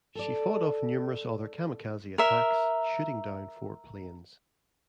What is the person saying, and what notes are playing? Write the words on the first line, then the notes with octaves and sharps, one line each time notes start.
She fought off numerous other kamikaze attacks, shooting down four planes.
A4 D5
A#4 E5